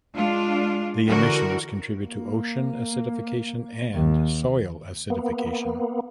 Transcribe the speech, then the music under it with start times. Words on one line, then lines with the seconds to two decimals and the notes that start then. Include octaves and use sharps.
The emissions contribute to ocean acidification and soil acidification.
0.14 G#3 D4 F4
1.09 D3 E3 F#4 A#4
2.07 A#3
3.94 D#2
5.10 A#3 B3